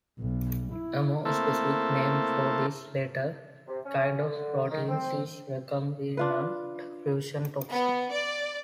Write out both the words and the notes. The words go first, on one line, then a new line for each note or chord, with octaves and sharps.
A more specific name for this latter kind of protein is recombinant fusion toxin.
B1
E4
A3 A#3 C4 E4 A4
C3
C#4
D3
D#3
C4
D4 F4 B4
B3
D5